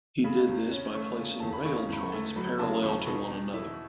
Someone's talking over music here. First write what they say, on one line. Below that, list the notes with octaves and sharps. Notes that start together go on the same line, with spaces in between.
He did this by placing rail joints parallel to one another.
C#3 B5
E2
C#4
A3 C#6
C#3
E2 A5
B5
C#3 C#6
E2 B5
C#6
A3
F#3 B5
C#3 A5
E2 C#6
B5
B2 C#6
E2
E4